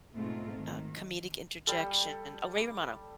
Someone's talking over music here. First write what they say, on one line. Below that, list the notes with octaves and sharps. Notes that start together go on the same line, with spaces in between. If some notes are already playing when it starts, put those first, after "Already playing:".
uh, comedic interjection. Oh, Ray Romano,
G#2 B2 G#3 A3 C4 F4
D#3
G3 A4